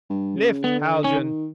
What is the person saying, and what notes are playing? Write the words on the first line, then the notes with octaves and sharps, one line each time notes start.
"Lift, Haljan!"
G2
C#3
D3 B3
D#3 C#4